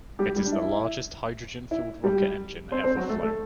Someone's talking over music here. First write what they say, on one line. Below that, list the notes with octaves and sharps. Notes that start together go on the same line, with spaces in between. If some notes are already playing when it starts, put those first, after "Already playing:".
It is the largest hydrogen-fueled rocket engine ever flown.
G3 G4
G3 G4
D4
E4
E4
G3 G4
C4 C5
C4 C5
F#3 F#4
A3 A4
A3 A4